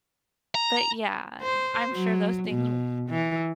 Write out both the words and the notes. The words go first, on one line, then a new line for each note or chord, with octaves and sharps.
but, yeah. I'm sure those things w
A#5
C5
F#3
B2
E3